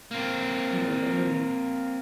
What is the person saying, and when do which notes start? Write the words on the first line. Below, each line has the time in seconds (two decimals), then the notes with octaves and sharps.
And make a movie.
0.11 A#3 C4